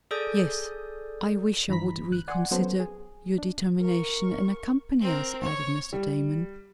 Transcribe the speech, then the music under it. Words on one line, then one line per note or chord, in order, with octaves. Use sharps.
"Yes, I wish you would reconsider your determination, and accompany us," added Mr. Damon.
G#4 A4 D5 D#6 G6
G2 E3 A#5 B5 B6
G#1 F#6
D5 F#5 G#5 C6
F#3 B3 C#4 F#4 A4 C5
G#4
D4
A#4 C#6
C4 A#4
C#5
G3